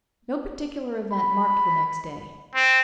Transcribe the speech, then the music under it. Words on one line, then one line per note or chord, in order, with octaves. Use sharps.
No particular event marked the next day.
B5
C4